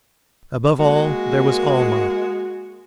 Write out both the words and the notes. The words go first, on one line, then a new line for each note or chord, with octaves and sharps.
Above all, there was Almah.
G#3 A#3 F#4